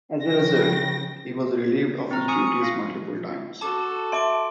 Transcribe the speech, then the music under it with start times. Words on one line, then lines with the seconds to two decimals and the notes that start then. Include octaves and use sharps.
As a result, he was relieved of his duties multiple times.
0.24 C#3 F3 G5 A#6
2.11 C4 A#5 F6
2.28 G#5 C#6 D#6 C#7
2.47 C#7
2.61 F4 F5 A#6
3.61 F#4 A4 A5 D6
4.12 E5 A5 C6 D6 D7